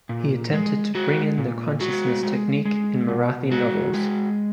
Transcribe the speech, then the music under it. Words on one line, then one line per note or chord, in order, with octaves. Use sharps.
He attempted to bring in the consciousness technique in Marathi novels.
A#2
G#3
G#3 F#4
A#2
G#3 F#4
G#3
G#3
B2
G#3 F#4
G#3